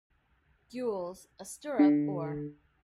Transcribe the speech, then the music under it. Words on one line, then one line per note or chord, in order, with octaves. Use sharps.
Gules, a stirrup Or.
D3